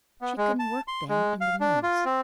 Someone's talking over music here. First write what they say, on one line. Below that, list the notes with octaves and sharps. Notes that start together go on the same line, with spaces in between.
"She can work then--in the mills."
B3
G#3
A5
C6
G#3
F5
D4
F4
C4